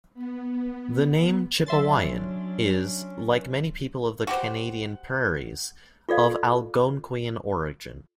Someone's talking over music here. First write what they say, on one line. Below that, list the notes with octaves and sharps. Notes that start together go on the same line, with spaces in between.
The name "Chipewyan" is, like many people of the Canadian prairies, of Algonquian origin.
B3
F#3 C#4 D4 E5 C6 A6
F#4 G4 C5 F#5
F4 A4 D5 F5